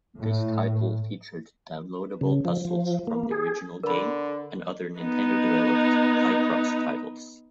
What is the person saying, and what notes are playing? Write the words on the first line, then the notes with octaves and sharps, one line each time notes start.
This title featured downloadable puzzles from the original game and other Nintendo-developed "Picross" titles.
A2
C#3
F3
F3
A#3
G#4
D3 A#4 B5
B3 D#4